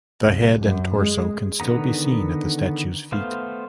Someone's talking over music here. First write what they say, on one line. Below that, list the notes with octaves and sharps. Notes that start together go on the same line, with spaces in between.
The head and torso can still be seen at the statue's feet.
C2
F#2
G#3
D3 D#3 B3 A#5
A3 B3 C5 F5